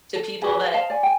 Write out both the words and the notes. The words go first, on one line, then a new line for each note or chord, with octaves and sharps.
to people that
A4
F#4 G#4 B4 G#5
C5 D#5 F5 A5
D5 G#5
G5 G#5